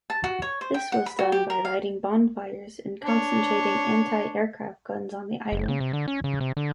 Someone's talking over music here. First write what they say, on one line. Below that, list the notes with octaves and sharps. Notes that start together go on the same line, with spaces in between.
This was done by lighting bonfires and concentrating anti-aircraft guns on the island.
A5
F#4
C#5
C5
G5
F#5
B5
F#4
G4
A#4
F5
D4 C#5
F#1
C#3
C3
D3
C#4
C#3
C3
D3